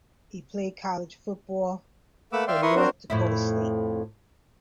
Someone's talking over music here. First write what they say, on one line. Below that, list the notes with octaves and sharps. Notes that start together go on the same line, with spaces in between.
He played college football for North Dakota State.
A3 A#3 B4 F#5 D6 E6
D5 E5 F5 G5 C6
E4 A#4 B4 C6 C#6 D#6
C4 D4 F#4 A#4 C5
F2 A2 E4